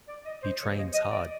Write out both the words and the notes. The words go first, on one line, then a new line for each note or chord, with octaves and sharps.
He trains hard.
D5
D#5
C5
D#2 C#3 E3 C#5
D#5
D#5
D5